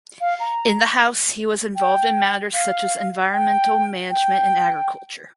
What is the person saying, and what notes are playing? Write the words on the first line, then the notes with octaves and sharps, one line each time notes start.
In the House he was involved in matters such as environmental management and agriculture.
F5
A#5
G5
F5
G5
G5